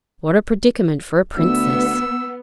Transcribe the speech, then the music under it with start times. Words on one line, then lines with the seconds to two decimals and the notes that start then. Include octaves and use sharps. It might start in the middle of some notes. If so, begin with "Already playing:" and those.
What a predicament for a princess!
1.37 D2 B3 E6